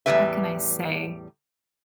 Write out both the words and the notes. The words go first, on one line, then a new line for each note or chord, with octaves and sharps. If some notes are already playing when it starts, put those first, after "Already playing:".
how can I say?-
E2 A2 E3 G3 B4 E5